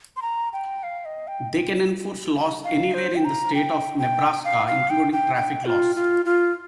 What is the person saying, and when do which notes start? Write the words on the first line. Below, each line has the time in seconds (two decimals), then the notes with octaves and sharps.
They can enforce laws anywhere in the state of Nebraska, including traffic laws.
0.17 C6
0.22 A#5
0.53 G5
0.83 F5
1.05 D#5
1.28 G5
2.64 F5
2.94 C5
3.15 G5
3.25 A#5
3.54 G5
3.99 G5
4.44 F5
4.67 F5
4.90 G5
5.12 G5
5.36 G5
5.65 F4
5.96 F4
6.25 F4